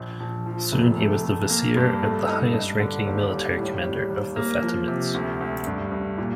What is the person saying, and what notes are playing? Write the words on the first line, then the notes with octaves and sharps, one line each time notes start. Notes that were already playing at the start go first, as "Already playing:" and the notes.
Soon he was the vizier and the highest-ranking military commander of the Fatimids.
Already playing: A#1
A#1
F3
F1
A3
A3
A#3
G2
A3
D#4
G2
D3
D#2
G3
A2
G3
D#2
A#3
F3
C3
D2
D2
G2
G2
A#2